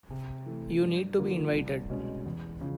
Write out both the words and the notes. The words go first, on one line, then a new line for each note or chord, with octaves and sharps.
You need to be invited.
C3
E3 A3
G2
D3 F3 A#3
C2
B2 G#3 C#4
E2
C#3 F3